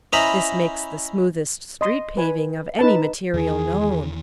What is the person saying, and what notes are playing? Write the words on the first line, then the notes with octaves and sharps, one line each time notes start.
This makes the smoothest street paving of any material known.
C#4 E4 C5 D#5 A#5 B5
D#5 C6
B4 G#5
D#4 B4 A5
E2 D#3 E3 G#4